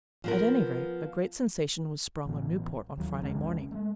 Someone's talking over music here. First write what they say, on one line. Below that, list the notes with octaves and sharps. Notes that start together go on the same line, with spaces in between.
At any rate, a great sensation was sprung on Newport on Friday morning.
F3 B3 A#4
A1 B2
D#2 F#3
C2 F2 G#3 C#4
G#3 A3